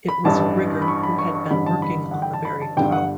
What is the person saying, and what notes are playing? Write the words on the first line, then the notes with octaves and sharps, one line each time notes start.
It was a rigger who had been working on the very top.
B5
A1 G2 E3 A5
B5
C#6
B5
C#6
C#6
A1 G2 D3 B5
A5
B5
F#5
G5
A5
B5
A5
G1 G2 D3 G5
F#5